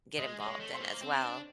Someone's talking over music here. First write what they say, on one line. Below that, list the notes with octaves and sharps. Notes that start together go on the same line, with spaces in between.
get involved in as well.
G#3 D#5 D#6
G#3
C#5 C#6
A3
C5 C6
A#3
C4
D4